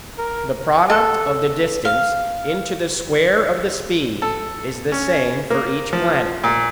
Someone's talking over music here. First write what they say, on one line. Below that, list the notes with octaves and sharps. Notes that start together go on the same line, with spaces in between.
The product of the distance into the square of the speed is the same for each planet.
A#4
A4
F5
A4
C#4
A#3
F3
A#2